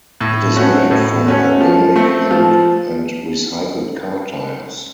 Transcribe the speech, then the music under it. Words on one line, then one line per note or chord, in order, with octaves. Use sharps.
It is made from organic hemp and recycled car tires.
A2
A3 C#4 F#4
A2
A3 C#4 F#4
F3
A3 C4
F3